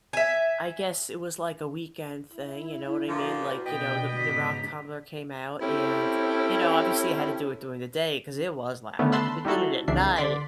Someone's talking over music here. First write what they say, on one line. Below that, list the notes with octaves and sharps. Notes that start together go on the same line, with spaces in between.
I guess it was, like, a weekend thing, you know what I mean, like, you know, the the rock tumbler came out and you know, obviously you had to do it during the day 'cause it was loud, like, if it did it at night
E5 G#5
E4
A#2 F3 F#4 B4
B2 B3 D4 G4 D#5 G5
G#2 C#3 A#5 B6
C4 C#4 E4 G4 A4
D3 D#3 A3 B3 C#4
A5 B5 C6 E6 F#6
G3 D#4 E4 F#4 A4
C2 C#3 E3 D4 E5 C7
D3 D5 C6 B6